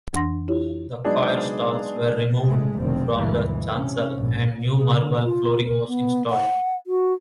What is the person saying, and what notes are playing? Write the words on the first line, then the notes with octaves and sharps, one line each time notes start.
The choir stalls were removed from the chancel and new marble flooring was installed.
F2 E3 D4 F#5 C6 A#6
E4 F4 G4 C#5
F#3 G#3 B3 D4 D#4 G#4
A1 G#3 A3
F1 B1 B2 D3 D#3 C4
G1 D2 B2 E3 G#3
C3 C#4
A#1 G#2 B2
G#4
D3
F4
A#4
B3
F#5
F#4